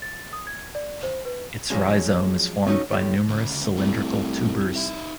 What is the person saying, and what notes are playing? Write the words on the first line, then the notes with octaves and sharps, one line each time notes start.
Its rhizome is formed by numerous cylindrical tubers.
A6
D#6
G#6
D5
C5
B4
F3 F#3 G#3 C#4
A3 C#4 D#4 F#4 A4
F#2 A2 G3 A3
D2 C#3
C2 G3 A3
D#4 E5